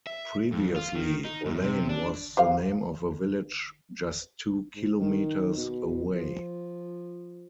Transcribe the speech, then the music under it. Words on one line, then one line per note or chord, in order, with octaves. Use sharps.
Previously, Olaine was the name of a village just two kilometers away.
E5
F2
F4
D#3
D#4
F#2
C3
D4
G4 C5 F5
G#2
D#3
B2
F3